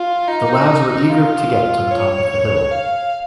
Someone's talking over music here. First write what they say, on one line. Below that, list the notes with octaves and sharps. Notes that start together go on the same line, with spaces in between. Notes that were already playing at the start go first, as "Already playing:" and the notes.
The lads were eager to get to the top of the hill.
Already playing: F4
D#4
F4
C#5
F5